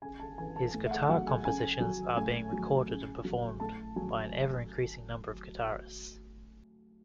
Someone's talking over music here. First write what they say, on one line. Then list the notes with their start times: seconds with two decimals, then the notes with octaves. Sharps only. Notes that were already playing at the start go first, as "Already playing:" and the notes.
His guitar compositions are being recorded and performed by an ever-increasing number of guitarists.
0.02 C#3 G#5
0.20 A5
0.38 E3 G#5
0.56 A5
0.74 A2
0.86 E5
0.91 F#5
1.09 F#3 F#5
1.27 G#5
1.45 C#3 G#5
1.80 F#3
2.17 A2 G#5
2.53 F#3
2.88 C#3
3.25 F#3
3.60 A2 A5
3.96 F#3 G#5